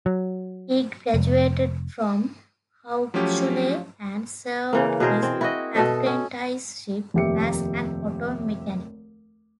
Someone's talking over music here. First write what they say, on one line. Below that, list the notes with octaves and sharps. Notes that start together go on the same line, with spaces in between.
He graduated from Hauptschule and served his apprenticeship as an auto mechanic.
F#3
F1
F3 F#3 A3 C#4 G4
C#3 E3 A#3
B2 G#4 A#4 C5
C4
E4 F#4 D#5
B2 A4 D#5 E5
C#4
F1 D#2 G4 E5 C#7